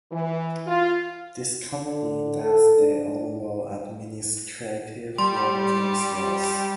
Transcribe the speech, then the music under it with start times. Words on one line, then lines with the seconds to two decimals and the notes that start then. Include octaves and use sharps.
This company does the overall administrative work and sales.
0.11 E3
0.66 F4
1.83 D3
2.42 A4
2.78 D4
5.18 G3 G4 C6